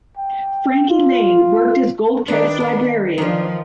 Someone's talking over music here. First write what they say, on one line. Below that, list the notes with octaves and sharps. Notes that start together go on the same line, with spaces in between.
Frankie Laine worked as Goldkette's librarian.
G5
F4
D#3 D4 B4 D5
B3
D#3 F3 F#3 D4